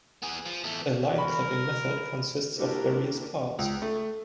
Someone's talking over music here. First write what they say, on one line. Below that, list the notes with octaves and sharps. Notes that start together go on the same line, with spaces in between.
A line-clipping method consists of various parts.
B3 G#4
F3
E2 A3
A#4 B5 C#6
A#3 D4 E4 F#4 G4 A#4
C#2
A3